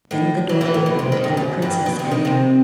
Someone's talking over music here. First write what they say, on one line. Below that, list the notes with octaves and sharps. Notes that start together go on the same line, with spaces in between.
Then the door opened, and the princess entered.
A2
F#3
E3
A2
B2
C3
D#3
G2
F#2
G2
B2
C3
D#3
C3